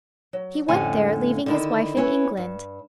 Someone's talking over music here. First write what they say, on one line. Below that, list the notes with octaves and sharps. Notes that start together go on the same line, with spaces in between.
He went there, leaving his wife in England.
F#3
F2 A2 D3 A3 C#4 G#5
D3 D#3 E4
C#4 E4 B4 C#5
G2